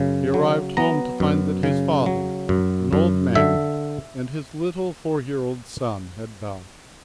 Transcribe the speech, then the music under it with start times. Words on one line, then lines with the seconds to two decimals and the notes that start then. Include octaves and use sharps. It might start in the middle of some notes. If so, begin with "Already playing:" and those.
He arrived home to find that his father, an old man, and his little four-year-old son had died.
Already playing: F#2 C#3
0.34 F#3
0.77 B3 A#5
1.20 F#2
1.63 C#3
2.06 F#3
2.49 F#2
2.93 F#2
3.35 D3 E5